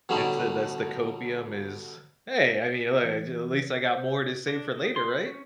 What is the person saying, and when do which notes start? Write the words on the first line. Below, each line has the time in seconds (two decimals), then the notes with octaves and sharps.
It's a That's the copium is, "Hey, I mean, look, I jus at least I got more to save for later, right?"
0.09 B2 D3 F#3 G3 A3 D#4
3.02 E3
3.88 C5
4.48 D4
4.73 D#4
4.96 C6
5.08 B4
5.26 C#4